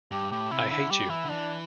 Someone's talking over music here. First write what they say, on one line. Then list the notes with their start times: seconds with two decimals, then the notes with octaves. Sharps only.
I hate you!
0.12 G2 G4
0.31 A2 G4
0.51 C3 E4
0.71 D3 E4
0.90 G3 G4
1.09 E3 E4
1.25 D3
1.29 E3 D4